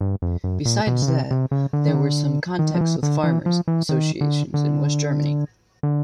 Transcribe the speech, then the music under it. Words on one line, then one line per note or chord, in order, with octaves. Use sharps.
Besides that, there were some contacts with farmers' associations in West Germany.
G2
F2
F#2
A#2
B2
C#3
C3
C3
C#3
D3
D#3
D3
D#3
F3
E3
D3
E3
F3
E3
D#3
D3
D3
D3